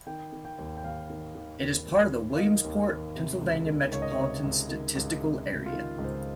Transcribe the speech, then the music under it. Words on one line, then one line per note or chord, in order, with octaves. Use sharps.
It is part of the Williamsport, Pennsylvania Metropolitan Statistical Area.
D#3 G5
D#3
G5
D#2
G5
D#2 F5
D#3
D#3
D#2
D#2
D#3
F5
D#3 D#5
D#2
D#2
C3
C#2
D#3
C#2 C#5
D#5
C#5
C3
C#2
D#3
C#2
C3
C#2
F4
D#3
C#2
C5